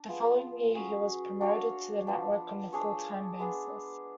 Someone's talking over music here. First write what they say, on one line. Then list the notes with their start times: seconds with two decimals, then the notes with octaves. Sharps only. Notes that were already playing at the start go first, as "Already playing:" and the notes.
The following year, he was promoted to the network on a full-time basis.
Already playing: D4
0.09 F3 B3 F4 G#4
0.75 F#3 C#4 G#4
1.41 D4 F#4 C#5 F5
2.07 F3 B3 D4
2.73 D4 G#4 C#5
3.39 G#3 B3 D4 G#4